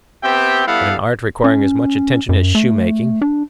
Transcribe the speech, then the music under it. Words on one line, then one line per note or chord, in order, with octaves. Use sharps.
And an art requiring as much attention as shoemaking?
B3 C4 G4 E5 G5
G3 B3 E4 A4 F5 F#5
C#4
F#2
A3
D4